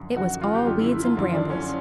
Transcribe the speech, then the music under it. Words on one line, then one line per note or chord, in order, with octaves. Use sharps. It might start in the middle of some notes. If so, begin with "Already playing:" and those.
It was all weeds and brambles.
Already playing: F#2 D3 F3
F#2 D3 F3 F#4
F4
G4
F#2 D3 F3 F4
E4
E4
F4
F#2 D3 F3 E4
D4
C#4